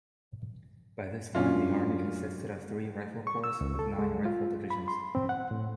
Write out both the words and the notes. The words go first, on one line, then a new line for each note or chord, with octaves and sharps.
By this time the army consisted of three Rifle Corps with nine rifle divisions.
F#2 C#4 D4 F4
C#6
E6
C#2
A4
G#3
F4
B5
C6
C4
F#5
A2